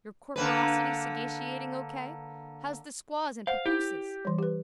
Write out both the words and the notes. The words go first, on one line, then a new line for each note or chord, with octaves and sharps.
Your corporosity sagaciating O K? How's the squaws and papooses?
D3 A#3 B4
C5 F5 F#5
E4 G4
E3 G3
G4 B4